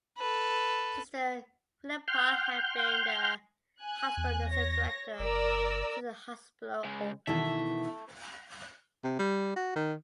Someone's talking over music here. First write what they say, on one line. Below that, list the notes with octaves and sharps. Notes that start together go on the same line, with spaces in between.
Sister Philippa had been the hospital’s nursing director since the hospital opened.
A4 B4
F#5 G5 C6 F6 G6
G#5 F#6
E2
C#5 A#6
F#1 A#4 D5 E6
C#3 G#3
B2 D#3 E3 A3 E4 A4 E5
C3
G3
F#4
D#3